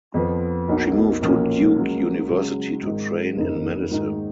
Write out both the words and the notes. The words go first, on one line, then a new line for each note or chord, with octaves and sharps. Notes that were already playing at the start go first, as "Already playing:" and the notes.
She moved to Duke University to train in medicine.
F2 F3 B3
B1 B2 A#3 D#4
B1 A#2 F3 A#3 C#4
C#2 C#3 F#3 A#3
C#2 C#3 F#3
G#1 G#2 D#3
F#1 F2 D#3 A#3 D#4
G#2 D#3 A#3 D#4